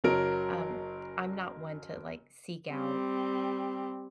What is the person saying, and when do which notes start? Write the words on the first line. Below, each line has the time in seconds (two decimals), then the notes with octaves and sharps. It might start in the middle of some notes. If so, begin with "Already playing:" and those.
um, I'm not one to, like, seek out
0.04 F#1 F#3 A#4 D7
2.71 G3 C4